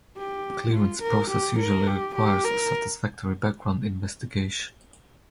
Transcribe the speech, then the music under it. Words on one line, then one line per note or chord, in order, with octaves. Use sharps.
The clearance process usually requires a satisfactory background investigation.
G4
F4
A#4
G4
A#4
G4
G4
A#4